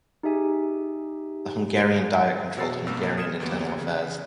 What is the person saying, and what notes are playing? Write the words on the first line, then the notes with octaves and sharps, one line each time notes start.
The Hungarian Diet controlled Hungarian internal affairs.
D#4 G4 G#4 E5 G#5
B2 F#4 C#5 E6 A6 C7
B1 G2 B2 A#3 C4 E6
D#6 F6 G#6 C#7 E7
D2 A#3 B3 G4
C#3